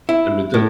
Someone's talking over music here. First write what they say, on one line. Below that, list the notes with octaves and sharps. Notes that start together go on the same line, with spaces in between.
I meant the
E4
A2